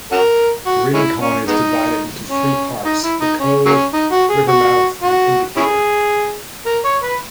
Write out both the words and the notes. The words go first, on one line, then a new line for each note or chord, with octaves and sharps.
Rincon is divided into three parts: the Cove, Rivermouth, and Indicator.
C#4 F#4 A#4
F#4
G#3 C#4 E4
C#4
G#3 B3 D#4
C#4
D#4
E4
D#4
C#4
F#3 A#3 C#4
D#4
F#4
G#4
F#4
F#4
C#4 E4 G#4
A#4
C#5
B4